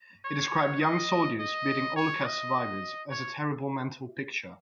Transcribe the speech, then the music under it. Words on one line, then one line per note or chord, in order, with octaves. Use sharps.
He described young soldiers beating Holocaust survivors as a "terrible mental picture".
C#5
D#5
D#5
C#5
D#5
C#5